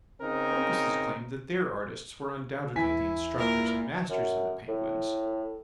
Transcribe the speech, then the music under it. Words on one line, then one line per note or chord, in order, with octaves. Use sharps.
But the Porpoises claim that their artists were undoubtedly the instructors and masters of the Penguins.
C#3 C4 D#4 A#4
D#2 E3 E4 G#5 B6
A#2 A#4
F#2
A2